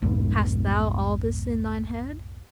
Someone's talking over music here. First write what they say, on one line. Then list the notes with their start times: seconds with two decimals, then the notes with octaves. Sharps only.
Hast thou all this in thine head?
0.02 B1 F2 G#2 B2